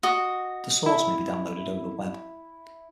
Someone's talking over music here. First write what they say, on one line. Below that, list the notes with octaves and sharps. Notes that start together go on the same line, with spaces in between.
The source may be downloaded over the web.
F#4 D#5
E4